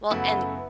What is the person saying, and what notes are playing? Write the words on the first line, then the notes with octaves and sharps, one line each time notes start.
Well and
F#2 C#3 A3 B3 E4 F#4